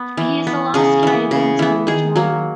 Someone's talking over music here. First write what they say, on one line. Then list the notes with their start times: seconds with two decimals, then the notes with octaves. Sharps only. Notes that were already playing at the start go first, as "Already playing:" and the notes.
He is the last Canadian to win the tournament.
Already playing: B3
0.17 E3
0.47 B3
0.74 C#3 G#4
1.03 E3 B3
1.31 C#3
1.59 E3 B3
1.87 D#3 G#4
2.16 F#3 A#3